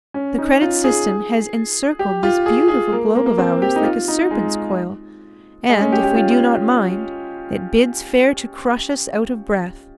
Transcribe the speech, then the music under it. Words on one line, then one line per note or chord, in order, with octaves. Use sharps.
The credit system has encircled this beautiful globe of ours like a serpent's coil, and if we do not mind, it bids fair to crush us out of breath.
C#4
D#4
F4
G#4
G4
F4
G#4
G#4
A#3
A#3
A#3
C4
G4
D#4
F4
D#4
G#3
G#3
C#4
G4
G4
F4
F4